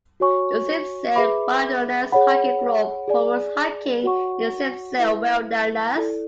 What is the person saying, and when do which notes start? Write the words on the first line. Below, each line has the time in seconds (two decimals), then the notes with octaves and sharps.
The Sipsey Wilderness Hiking Club promotes hiking in the Sipsey Wilderness.
0.20 F#4 C#5 G#5 C#6
1.16 G#4 B4 E5 B5 D6
2.12 G#4 C#5 F#5 B5
3.08 G#4 D5 G#5
4.04 F#4 C#5 F#5 C#6
4.99 E4 B4 E5
5.96 E4 A4 D5